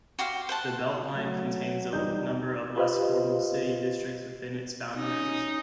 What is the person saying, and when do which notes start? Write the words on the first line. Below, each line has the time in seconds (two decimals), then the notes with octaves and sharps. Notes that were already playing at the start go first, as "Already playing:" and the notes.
The Beltline contains a number of less formal city districts within its boundaries.
0.19 F#4 G4 C5 F5
0.49 C5 F#5 A5
1.15 F#3 A3
1.93 E2 G3 D#4 G6
2.76 F4 G4 B4 C5 D#5 F5
4.95 C#4 D#4